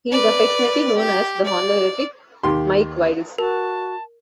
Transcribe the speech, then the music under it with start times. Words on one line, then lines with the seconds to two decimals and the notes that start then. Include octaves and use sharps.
He is affectionately known as 'The Honorific' Mike Wilds.
0.11 B4 D5
0.97 G4
1.45 D5
2.43 D#2 G4 C6
3.38 F#4 A#4 A5